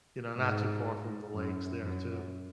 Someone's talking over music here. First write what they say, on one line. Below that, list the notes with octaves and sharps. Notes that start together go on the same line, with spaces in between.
you know, not too far from the lakes there too.
G#2
F#2
F#2